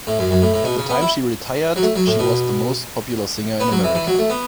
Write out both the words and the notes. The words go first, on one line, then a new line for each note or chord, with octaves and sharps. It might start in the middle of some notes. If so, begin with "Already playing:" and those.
At the time she retired, she was the most popular singer in America.
A2
F#2
F#2
A2
A2
B2
C#3
B3
E4
F#3
A3
F#3
A2
B2
B3
F#3
E3
E3
F#3
A3
B3